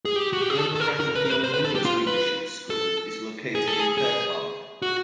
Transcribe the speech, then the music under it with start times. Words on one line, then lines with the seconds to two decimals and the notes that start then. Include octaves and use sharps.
Irma Rangel Young Women's Leadership School is located in Fair Park.
0.05 G#4
0.16 G4
0.33 F#4
0.41 G4
0.50 G#4
0.58 A4
0.75 A4
0.80 A#4
1.00 A#4
1.15 B4
1.25 A#4
1.30 B4
1.44 C5
1.54 B4
1.65 A4
1.75 G4
1.85 F4
2.07 B4
2.70 A4
3.55 G#4
3.68 A4
3.80 G#4
3.98 G#4
4.82 F#4